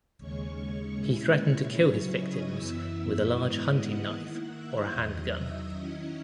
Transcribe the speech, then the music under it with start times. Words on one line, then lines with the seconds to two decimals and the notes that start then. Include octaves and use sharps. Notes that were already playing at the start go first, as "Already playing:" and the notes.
He threatened to kill his victims with a large hunting knife or a handgun.
0.18 D#2 C#3 G#3 C#4 C#5 C#6
0.97 A#2 G#3 C#4 E4
1.37 C#5 C#6
1.76 C#3 F#3 C#4 E4
2.16 D#5 D#6
2.55 F#2 E3 B3 E4 E5 E6
3.34 G#2 E3 G#3 B3 E4 D#5 D#6
3.73 F#5 F#6
4.13 D#3 A#3 E4
4.52 E5 E6
4.91 E2 D#3 F#3 D#5 D#6
5.31 E5 E6
5.71 D#3 F#3 C#4 E4 D#5 D#6